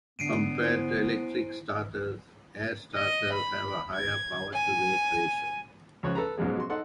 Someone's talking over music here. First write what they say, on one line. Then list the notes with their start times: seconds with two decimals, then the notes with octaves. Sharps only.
Compared to electric starters, air-starters have a higher power-to-weight ratio.
0.19 G#2 D3 B3 D4 C7 D7 D#7
0.61 E4 C5 G#5
2.94 D#5
3.33 B5
3.94 G#6
4.53 G#5
6.03 C#2 F3 C#5 F#6
6.15 A4 B4 A#5
6.37 G#2 B2 F3 F#3 G#3
6.58 F#4 C6
6.70 D#4 A4 F#5 C6